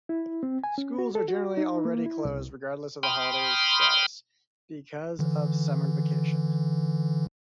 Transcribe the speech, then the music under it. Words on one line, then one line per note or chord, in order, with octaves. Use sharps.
Schools are generally already closed, regardless of the holiday's status, because of summer vacation.
E4
C4
G#5
C#4
F#4
A4
F#4
D#4
A#3
E4
C2
G5 B5 C6 D#6 F6
D3 E3